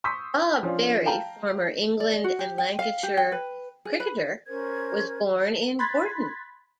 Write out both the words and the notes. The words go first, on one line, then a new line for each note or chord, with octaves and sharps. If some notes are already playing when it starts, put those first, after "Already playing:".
Bob Berry, former England and Lancashire cricketer, was born in Gorton.
C6 C#6 D#6 E6 G6 B6
F3 C#4 D4 F4
F5 G5 A5 A#5
D5
F#4
G4
G5
F5
G4
G5
B4
G#4
B4
C#4 A#4 C5 G#6
B5 C6 F#6 G#6 A6 B6